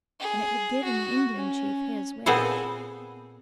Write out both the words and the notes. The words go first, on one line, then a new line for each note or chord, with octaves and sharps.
And it had given the Indian chief his wish.
G#4
F#4
C#4
A#2 B3 C4 G#4 A4 C5